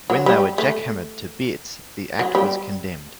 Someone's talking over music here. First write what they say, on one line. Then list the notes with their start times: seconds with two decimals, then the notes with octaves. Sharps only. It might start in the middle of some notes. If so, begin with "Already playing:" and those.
When they were "jackhammered" "to bits" the act was condemned.
0.10 F#3
0.26 G3
0.58 A3
2.19 F#3
2.35 G3